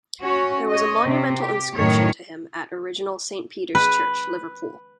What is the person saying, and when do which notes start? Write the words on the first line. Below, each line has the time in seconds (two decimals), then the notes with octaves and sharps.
There was a monumental inscription to him at original Saint Peter's Church, Liverpool.
0.22 C#4 F#4 C#5
0.70 C#5 D#5
1.05 C3
1.38 G4
1.76 F#2 A2 D#3 C#5
3.75 B4